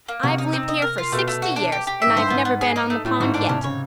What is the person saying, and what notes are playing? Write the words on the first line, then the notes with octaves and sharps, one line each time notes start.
"I've lived here for sixty years and I've never been on the pond yet."
A#3
C3 F#4
D#4
C4
D#5
A#4
F4
B2 A3
A3
F#4
D4
G4
G4
E5
G#2
G2 C5
G#2 B3
B3
G#4
D#4
A3
A2 A3
G#2 F#4
D4
C3 C#4
C#3 C#5